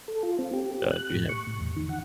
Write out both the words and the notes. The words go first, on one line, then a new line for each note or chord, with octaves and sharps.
Uh, do you have
A4
F4
C4
G4
G4
F#6
A2
C#6
A2
E2
D#3
F#5